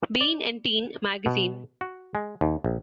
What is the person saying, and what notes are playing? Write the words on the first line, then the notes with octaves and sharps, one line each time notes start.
Bean and "Teen" magazine.
D5
B2
F#4
G#3
D#2
A#1